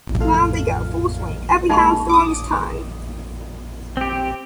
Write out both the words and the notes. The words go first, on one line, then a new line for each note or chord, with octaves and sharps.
Round they go, full swing, every hound throwing his tongue.
F2 A2 F4 A4 F5 F6
G#3 A#3 D#4 G#4 B5 C#6
D6 D#6
C4 G4